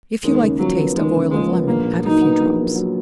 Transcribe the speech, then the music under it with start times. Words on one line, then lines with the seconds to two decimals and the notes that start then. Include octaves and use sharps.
If you like the taste of oil of lemon, add a few drops.
0.23 D#2 G#3
0.42 C#3
0.59 F3 F#3
0.77 B3
0.95 D#2 G#3
1.14 C#3
1.31 F3 G#3
1.49 B3
1.67 A#1 A#3
1.85 A#2
2.03 F#3 D#4
2.21 B3
2.40 A#1
2.58 A#2
2.75 F#3